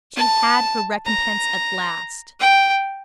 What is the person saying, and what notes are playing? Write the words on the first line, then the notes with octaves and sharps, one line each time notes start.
She had her recompense at last.
A5
A#5
G5